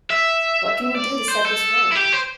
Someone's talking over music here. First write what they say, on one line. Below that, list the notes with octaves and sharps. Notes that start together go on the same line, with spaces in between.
What can we do to set this right?
E5
D5
C5
A4
E4
G4
C5